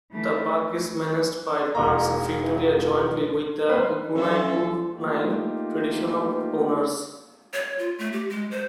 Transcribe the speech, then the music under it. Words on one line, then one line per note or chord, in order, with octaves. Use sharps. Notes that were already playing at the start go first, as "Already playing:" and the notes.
The park is managed by Parks Victoria jointly with the Gunaikurnai Traditional Owners'.
E3 A3
E1 A#3 A#5
E3
C#2
A#3 C4 B4 C5
F#3 C#4 D4 A4 D5 E5 F5 C6
A3 A#3 D#4 F4 G4
C#5
F4
A3
G4
G#3
C5